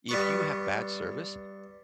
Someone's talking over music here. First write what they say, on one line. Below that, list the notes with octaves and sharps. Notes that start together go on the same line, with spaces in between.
if you have bad service,
G2 B3 C#6